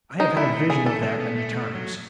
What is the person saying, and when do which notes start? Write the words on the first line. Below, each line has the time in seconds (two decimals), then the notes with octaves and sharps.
I have had a vision of that many times.
0.20 G#3 D#4
0.37 A3 E4
0.54 A3
0.70 A3 G#4
0.86 A3 A4
1.03 G#3
1.20 B3
1.36 A3
1.53 A3
1.75 F#3